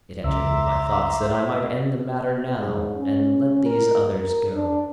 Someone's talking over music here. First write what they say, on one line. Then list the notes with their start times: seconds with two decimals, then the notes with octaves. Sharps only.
It entered into my thoughts that I might end the matter now and let these others go.
0.24 C#2 E5 A#5 C6 D6
2.59 G#2
2.96 C#4
3.66 A#4
4.21 A#4
4.54 D4